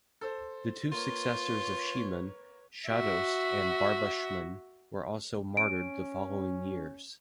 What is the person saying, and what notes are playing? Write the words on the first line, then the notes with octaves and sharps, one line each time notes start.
The two successors of Shemon, Shahdost and Barba'shmin, were also martyred the following years.
A4 C5
A#3 F4 B4 C#5
F#4 E5
C#4 D7